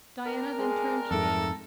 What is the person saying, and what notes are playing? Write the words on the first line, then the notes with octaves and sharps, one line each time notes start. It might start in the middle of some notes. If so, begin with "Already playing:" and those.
Diana then turned to me.
D4 G4 A#4
G#3
F2 G#2 A3 A4